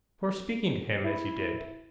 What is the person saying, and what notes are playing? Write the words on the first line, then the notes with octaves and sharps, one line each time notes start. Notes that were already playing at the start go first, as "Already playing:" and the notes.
"For speaking to him as you did."
E4